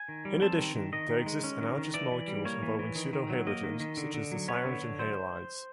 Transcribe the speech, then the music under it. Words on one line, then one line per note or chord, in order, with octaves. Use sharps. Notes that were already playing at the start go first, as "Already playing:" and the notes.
In addition, there exist analogous molecules involving pseudohalogens, such as the cyanogen halides.
Already playing: G#5
D#3
G3
C4 A5
D#3
D#3
D#3 D#5
D#3
G#3
C#4
D#3
D#3
E3 D5
E3
G3
A#3 C#5
E3
E3
D#3
D#3
F#3
A#3 D#5
D#3
D#3
D3
D3
F#3
B3 C#5
D3
D3
F#3 C5